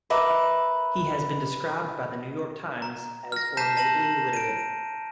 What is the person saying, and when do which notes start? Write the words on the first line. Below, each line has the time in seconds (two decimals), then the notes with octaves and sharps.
He has been described by The New York Times as ornately literate.
0.10 A#4 B4 E5 D6
2.82 A#5
3.32 F6 A#6
3.57 A5 A#5 G6 B6 C7 E7
3.77 A5 A#6 E7 F#7
4.33 D7 D#7